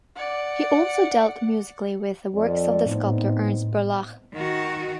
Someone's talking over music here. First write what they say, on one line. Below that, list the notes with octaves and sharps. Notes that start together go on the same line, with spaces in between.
He also dealt musically with the works of the sculptor Ernst Barlach.
D5 F#5
F2 D5
A2 B3 C4 D#4
D#3 F#4